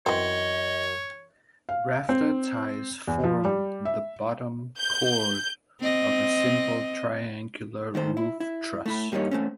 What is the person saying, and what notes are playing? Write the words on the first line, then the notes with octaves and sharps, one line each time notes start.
Rafter ties form the bottom chord of a simple triangular roof truss.
F#2 E3 C4 C#5 D#5
F5
C4
E2
F3
G3
E5
G6
C4 D#5
D#3 A3 C5
E4
E4
A3 E4 B5
G2 G3 A#3 D#4 C#5
A3 C4 C#4